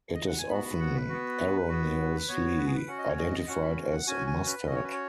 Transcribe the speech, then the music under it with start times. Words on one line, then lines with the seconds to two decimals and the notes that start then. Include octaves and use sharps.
It is often erroneously identified as mustard.
0.15 D#5
0.27 F#5
0.38 G#5
0.50 B3 F#4 B5
0.65 B5
0.80 F#5
0.94 B4
1.09 B3 F#4
1.69 B3 F#4
2.28 B3 F#4 C#5
2.58 B4
2.65 G#4
2.74 B4
2.88 C#4 F#4 F#5
2.98 D#5
3.08 C#5
3.19 D#5
3.47 C#4 F#4 F#5
3.62 B5
3.91 F#5
4.07 C#4 F#4 G#5
4.27 G#5
4.46 B4
4.66 C#4 F#4 D#5
4.75 C#5
4.84 B4
4.93 C#5